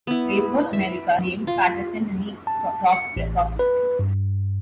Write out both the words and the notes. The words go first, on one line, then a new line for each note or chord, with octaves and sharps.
"Baseball America" named Patterson the league's top prospect.
B3 E4
E5
F4
A5
C#7
A1
B4
G2